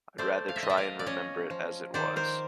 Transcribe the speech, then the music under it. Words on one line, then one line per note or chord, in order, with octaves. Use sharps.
I'd rather try and remember it as it was.
A3 C5 D5
F5
E5
F4 D#5
D5 E5
D#5 F5
D5
C#4 C#5 D#5
F3
D#3 C5 D5
A#4 C5